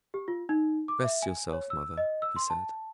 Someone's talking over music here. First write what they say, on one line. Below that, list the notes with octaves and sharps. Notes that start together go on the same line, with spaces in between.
"Rest yourself, mother," he said.
G4
F4
D#4
D6
E5
G#5
C#5
E6
D#5
E6
C6
A5